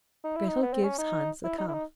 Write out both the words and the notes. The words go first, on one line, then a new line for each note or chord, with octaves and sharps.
Grettel gives Hans a calf.
D#4
E4
D#4
B3
C4
C#4
D#4
E4
D#4
E4
D#4